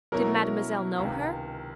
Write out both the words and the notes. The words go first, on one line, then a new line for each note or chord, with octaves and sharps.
Did mademoiselle know her?
B2 F#3 A#3 C#4 E4 A#4
C#2 C3 D#3